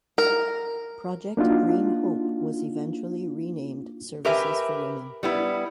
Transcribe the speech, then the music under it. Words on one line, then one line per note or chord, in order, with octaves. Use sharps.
Project Green Hope was eventually renamed Services for Women.
A#4
A#3 D4 D#4 F4 F#4
G4 A#4 B4 E5 G#5
G3 B3 E4